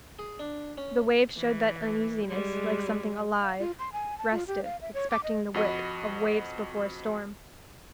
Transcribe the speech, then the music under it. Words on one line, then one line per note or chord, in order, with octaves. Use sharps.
The waves showed that uneasiness, like something alive, restive, expecting the whip, of waves before a storm.
G#4
D4
C#4
E3
G3 G#3
F5
F4
C6
G#5
A5
F4
G4
F5
E5
C#5
D6
D#5
F2 F#4 D#5 B5